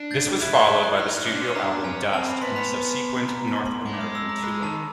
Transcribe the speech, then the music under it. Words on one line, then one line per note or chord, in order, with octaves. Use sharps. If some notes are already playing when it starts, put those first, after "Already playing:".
This was followed by the studio album "Dust" and a subsequent North American tour.
Already playing: D4
G6 A6
E4 F#6 G#6
G6
F#6
F#6
D#4 F6
F#6
C#4 D6
D4
C#4 C6
D4 A#5
C#4 G#5
C4 A5
B5
B3 C6
B5
A#5
A5
C6
G#3 D6
D#6
E6
A#5
G#3 B5
D#3 A5